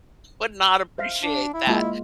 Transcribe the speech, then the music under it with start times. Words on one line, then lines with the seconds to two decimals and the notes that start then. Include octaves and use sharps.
would not appreciate that,
0.98 C5 E5 F5
1.23 D4
1.54 E4
1.67 G#3 A#3 F4